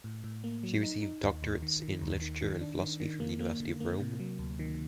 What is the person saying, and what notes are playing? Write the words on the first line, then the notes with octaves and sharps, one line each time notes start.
She received doctorates in literature and philosophy from the University of Rome.
A2
A2
A#3
F#3
D#4
D#4
D#2
D#2
D#3
D#3
D#2
D#3
D#3
D4
D#3
D#3
A#3
A#3
D3
A#3
C3
F#3
D2
D#3